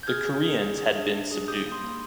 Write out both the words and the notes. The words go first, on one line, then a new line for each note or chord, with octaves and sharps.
The Koreans had been subdued.
G6
G#4 F6 G#6
G#4
G#4
G#4
G#4
D4
D4
G#4
G4 D#6 G6
A#3
C6 D#6
A#3